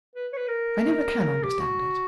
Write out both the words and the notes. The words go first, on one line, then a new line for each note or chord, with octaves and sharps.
I never can understand it.
B4
C#5
B4
A#4
G4
F#4